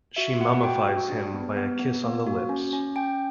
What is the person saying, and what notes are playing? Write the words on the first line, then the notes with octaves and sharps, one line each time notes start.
She mummifies him by a kiss on the lips.
F#4 E5
F#4 F#5
F#4 G5
F#4
D4
B3
B3
B3
A#3
F#4
C#4
C#4
C#4 G5